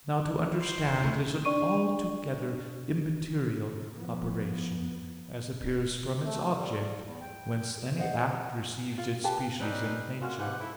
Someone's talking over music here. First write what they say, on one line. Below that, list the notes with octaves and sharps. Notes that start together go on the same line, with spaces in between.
Now to understand is an altogether immaterial operation, as appears from its object, whence any act receives its species and nature.
E4
C5
D#1 D3
B2 A3 E4
D4 D5 C#6 D#7
F3 B3
A3
G3
E2
G5
C5 D#5 F#5
F4
F4 G4 B4 A5
C4 C#4 D#4 B4 C5 D5
A#2 G#3 C#4 F4 F#4
G#2 E3 F3 G4 F#5
E4 A4